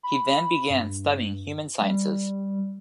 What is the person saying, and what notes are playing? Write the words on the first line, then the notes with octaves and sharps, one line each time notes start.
He then began studying human sciences.
B5
G2
G3